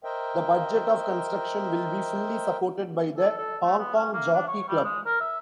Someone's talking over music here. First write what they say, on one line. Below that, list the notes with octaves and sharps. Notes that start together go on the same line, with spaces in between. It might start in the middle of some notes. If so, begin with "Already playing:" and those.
The budget of construction will be fully supported by the Hong Kong Jockey Club.
A#4 C5 D#5 E5 G5
A4
A4
A3
B3
C#4
A#3
D4
C#5
G3
G#3
A#4
E5